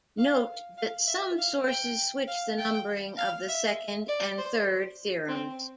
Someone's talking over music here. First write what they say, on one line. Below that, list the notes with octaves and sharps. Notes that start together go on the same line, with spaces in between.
Note that some sources switch the numbering of the second and third theorems.
F5
F5
E5
F5
G5
F5
G5
F5
E5
D5
C5
C4